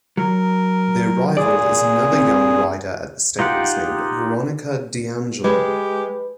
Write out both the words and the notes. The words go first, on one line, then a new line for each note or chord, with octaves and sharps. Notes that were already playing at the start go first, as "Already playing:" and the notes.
Their rival is another young rider at the stables named Veronica DiAngelo.
F#3 A#4
A#2 G#4 D5
C4
D#4 F4 G4 F#5
G#3 G4 B4